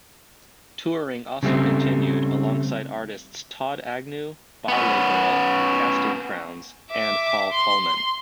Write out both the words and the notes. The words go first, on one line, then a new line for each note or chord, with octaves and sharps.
Touring also continued alongside artists Todd Agnew, BarlowGirl, Casting Crowns and Paul Colman.
C#3 G3 A3 C4
B3 C#4
E5 D6
C6